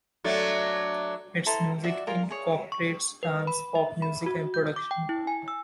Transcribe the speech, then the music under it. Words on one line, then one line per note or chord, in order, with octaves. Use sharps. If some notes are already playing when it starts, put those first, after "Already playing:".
Its music incorporates dance-pop music and production.
F#3 A3 D4
E4 A4 C5 A#5
F#4 D5 E5
F4 A#4 G#5
G#4 C#5
C#6
B4
B5
E5
B5
F#4
G6
D6
G5
E4
G#5
E6